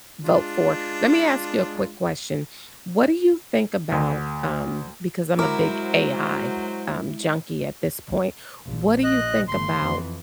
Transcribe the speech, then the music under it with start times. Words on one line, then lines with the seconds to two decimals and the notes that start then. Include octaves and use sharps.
vote for. Let me ask you a quick question, what do you think about, um because I'm a big AI, um, junkie at this point, what do you think about
0.22 G#3 D4 F4
3.92 D2
5.39 F#3 G#3 E4 F#4 A#4 C5 D6
8.65 A#1
9.04 D#5 F#6
9.48 G1 A3 C6
9.81 F2 E3